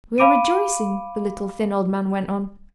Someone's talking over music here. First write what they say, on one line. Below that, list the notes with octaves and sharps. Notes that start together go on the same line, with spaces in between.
"We are rejoicing," the little, thin old man went on.
F5 B5 D6 D7 D#7